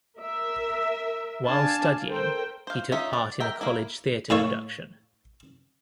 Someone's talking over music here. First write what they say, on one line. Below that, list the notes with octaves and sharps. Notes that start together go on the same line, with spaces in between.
While studying, he took part in a college theatre production.
A#4 E5
D4 D5 F5 G#5 A5
A4 A#4 C5 G5
C5 F5
C#4 D#4 F4 E5
D5
A#4 E5 G5
A#3 E4
A2 A#3 A4 C#5